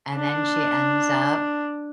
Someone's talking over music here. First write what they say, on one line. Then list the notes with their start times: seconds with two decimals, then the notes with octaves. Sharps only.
and then she ends up
0.16 D4